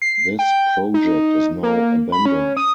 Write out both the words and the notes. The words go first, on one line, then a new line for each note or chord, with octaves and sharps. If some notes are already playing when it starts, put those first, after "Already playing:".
This project is now abandoned.
C7
G5
D#4
A#3
B5
C#4
D#6